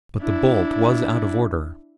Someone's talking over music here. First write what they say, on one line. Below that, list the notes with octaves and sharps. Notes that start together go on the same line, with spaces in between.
But the bolt was out of order.
D4 E4